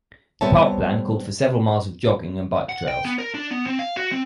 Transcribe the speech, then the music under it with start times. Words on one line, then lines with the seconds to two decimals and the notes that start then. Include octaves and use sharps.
The park plan called for several miles of jogging and bike trails.
0.41 G3 B3 C4 C#5 E5 A5
2.69 F#5
2.88 G5
3.05 B3
3.18 A#4
3.34 D4
3.51 B3
3.67 C4
3.79 F5
3.97 F#4
4.12 C4